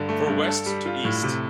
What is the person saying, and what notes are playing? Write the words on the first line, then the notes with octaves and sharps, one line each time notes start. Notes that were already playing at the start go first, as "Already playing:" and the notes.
For west to east.
Already playing: G2 D3
A3
G2
A4
G3
F4
A2
C3